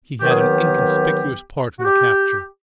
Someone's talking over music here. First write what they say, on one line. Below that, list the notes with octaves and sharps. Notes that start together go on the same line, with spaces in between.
He had an inconspicuous part in the capture.
D#2 D#3 F#3 B3 G4
G#4
G4
F#4
G4